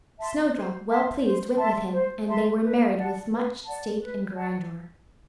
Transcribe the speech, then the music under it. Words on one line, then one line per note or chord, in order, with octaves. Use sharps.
Snowdrop, well pleased, went with him, and they were married with much state and grandeur.
E5 A5 C6
C5
E5 A5 C6
C5
E5 A5 C6
C5
E5 A5 C6
B4
D5 F#5 A5
B4
D5 F#5 A5
B4
D5 F#5 A5